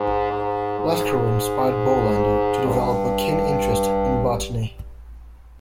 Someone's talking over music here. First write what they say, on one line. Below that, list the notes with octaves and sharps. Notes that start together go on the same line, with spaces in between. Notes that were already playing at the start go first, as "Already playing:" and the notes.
Lesquereux inspired Bolander to develop a keen interest in botany.
Already playing: G#2
G#2
G#2
G2